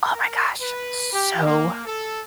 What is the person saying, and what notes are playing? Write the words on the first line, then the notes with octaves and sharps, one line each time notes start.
Oh my gosh, so
A#4
B4
G4
A#3
A4